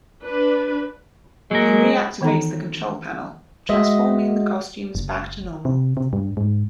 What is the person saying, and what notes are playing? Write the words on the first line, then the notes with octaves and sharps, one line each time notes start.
He reactivates the control panel, transforming the costumes back to normal.
D4 B4
F#3 G#3 A#3 A#4
D#3 E3 B3 D#4 A4 A#5
G#3 F#4 D#5 E5
F#1
C3
C3
G2
G#2